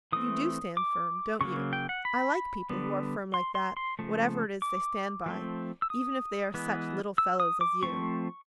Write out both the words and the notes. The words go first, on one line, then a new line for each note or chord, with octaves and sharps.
You do stand firm, don't you? I like people who are firm like that whatever it is they stand by, even if they are such little fellows as you.
E3 A3 C4 D#6
D6
C#3 F#3 A#3 C#6
G5
F#5
B5
D3 G3 B3
C6
C6
C6
C#3 F3 A3
D6
F3 A3 C4
E6
D#6
E3 G#3 B3
E6
D#6
D6
F3 A3 C4 C#6